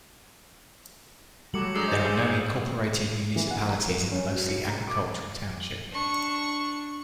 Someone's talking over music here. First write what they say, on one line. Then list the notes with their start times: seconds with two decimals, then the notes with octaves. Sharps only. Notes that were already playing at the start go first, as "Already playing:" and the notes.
There are no incorporated municipalities in the mostly agricultural township.
1.54 F#3 G3 A3 D6 C#7 F#7
1.75 F#3 G#3 D4 A#5 D#6 E6 G6 C7
1.88 D#4 G#4 C5 D#5 G6 A6
3.36 E3
3.51 F#5
3.69 A#5
3.89 A#4
4.12 C#4
4.33 F#4
4.49 C#7
4.68 A#5
4.87 D6
5.92 D4 C#6